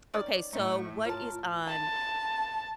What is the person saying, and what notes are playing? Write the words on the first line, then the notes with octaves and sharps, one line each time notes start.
Okay, so what is on
D#3 C#4 D5
A2 A3 D#4 C#6
F4 A#4 C#5 A5
A5